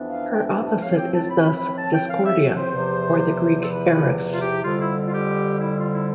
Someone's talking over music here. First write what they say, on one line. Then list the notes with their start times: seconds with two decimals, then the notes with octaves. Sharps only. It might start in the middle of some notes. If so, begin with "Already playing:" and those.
Her opposite is thus Discordia, or the Greek Eris.
Already playing: F2 E3 B3 D4
0.08 F5
0.32 G5
0.48 A5
0.64 A5
0.80 A2 F3 C4 F5
0.96 G5
1.12 A5
1.23 A5
1.28 B5
1.76 A5
1.92 G5
2.08 F5
2.24 E5
2.56 C5
2.72 E2 C3 F3
3.62 A4
3.68 B4
4.32 F4
4.40 G4
4.64 F2 D3 G3 F4
4.80 E4
5.07 F4
5.12 G4
5.60 E4
5.77 F4
5.93 E4